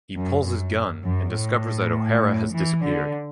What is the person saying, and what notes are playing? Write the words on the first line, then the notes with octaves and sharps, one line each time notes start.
He pulls his gun, and discovers that O'Hara has disappeared.
F#2
F#2
F#2
A2
E3
D3